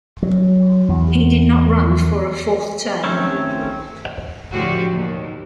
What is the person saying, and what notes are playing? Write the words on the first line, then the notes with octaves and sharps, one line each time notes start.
He did not run for a fourth term.
F#3
E2
D#3 A3 C4 C#4
A2 D3 F3 F#4 G4
D#2 B2